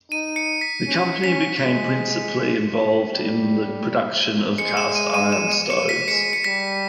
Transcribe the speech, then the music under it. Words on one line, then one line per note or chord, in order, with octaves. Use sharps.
The company became principally involved in the production of cast iron stoves.
D#4 D#7
C#7
B6
C#4
C#4 B6
G#3
G3
G#3 C#7
E7
D#7
D#7
E7
D#7
C#7
B6
G#3 C#7
C#7
G3 B6